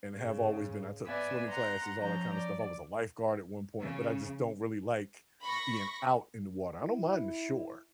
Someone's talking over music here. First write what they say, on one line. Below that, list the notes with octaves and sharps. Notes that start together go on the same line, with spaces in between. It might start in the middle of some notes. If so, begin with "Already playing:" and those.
and have always been. I took swimming classes, all that kinda stuff. I was a lifeguard at one point, but I just don't really like being out in the water. I don't mind the shore,
G#2 C#3
B3 B4 D5 E5 G#5
F#5 A#5 C6
F3 C#4 A#5 G6
D5
C#3
B5 C#6 A#6
E4